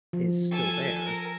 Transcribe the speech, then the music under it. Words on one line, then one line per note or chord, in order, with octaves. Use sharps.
is still there
F3
A4 G#5
A#4